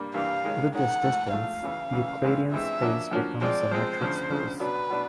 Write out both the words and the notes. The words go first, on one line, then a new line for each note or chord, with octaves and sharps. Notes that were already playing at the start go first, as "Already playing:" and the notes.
With this distance, Euclidean space becomes a metric space.
Already playing: G2 G3 A#3
G2 E3 G3 A#3 F5
D#3 G#3 C#4
D#3 G#3 C#4 F#5
G#2 F3 A3
G#2 F3 A3 F5
F#2 C#3 E3
F#2 C#3 E3
G2 E3 G#3 C4
G2 E3 G#3 C4 E5
D3 F3 A#3 C#4 F#4
D3 F3 A#3 C#4 F#4
F3 G#3 C4 D5
F3 G#3 C4 C5
D2 C#3 F3
D2 C#3 F3
B2 F#3 B3 D4 B4
B2 F#3 B3 D4